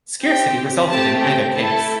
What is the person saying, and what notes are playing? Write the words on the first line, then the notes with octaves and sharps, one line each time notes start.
Scarcity resulted in either case.
C4 G4 G5
A3 C4 G4 A5
G5
A3 E4 A4 A5